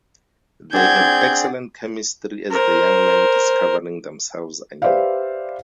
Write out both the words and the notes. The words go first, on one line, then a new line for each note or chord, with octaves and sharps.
They have excellent chemistry as the young men discovering themselves anew.
C4 D4 G#4 D5 F#5 G6 G#6
A#4 C5
G4 B4 C5 D5 E5 F5